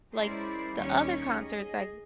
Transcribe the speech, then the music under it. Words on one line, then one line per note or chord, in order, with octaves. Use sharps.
like, the other concerts, I
G#3 C#4 E4 A#4 C5 D5
D#2 G3 C#4 D#4 C#5
G#4 D#5